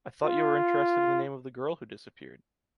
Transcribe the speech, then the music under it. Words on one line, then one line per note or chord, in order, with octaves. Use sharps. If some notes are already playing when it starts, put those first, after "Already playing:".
I thought you were interested in the name of the girl who disappeared.
F4